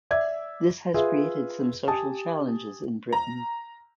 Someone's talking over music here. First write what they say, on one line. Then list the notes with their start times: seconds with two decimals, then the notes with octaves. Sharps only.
This has created some social challenges in Britain.
0.11 D5 E5 G#6
0.94 F4 G#4 B4 E5
1.88 G4 G#5 A5 D#6
3.13 A#5